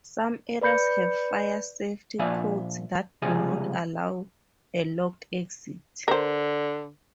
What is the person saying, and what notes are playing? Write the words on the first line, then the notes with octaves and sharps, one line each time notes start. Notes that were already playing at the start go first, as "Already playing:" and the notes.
Some areas have fire safety codes that do not allow a locked exit.
B4 D5 B5 G6 C#7
A#2 F3 D5 E5 G#5
C#2 C3 F3 G3 G#4 G#5
D3 A#4 C5